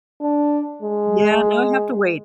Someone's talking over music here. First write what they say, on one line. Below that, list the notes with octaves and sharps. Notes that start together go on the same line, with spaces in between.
Yeah, now I have to wait.
D4
G#3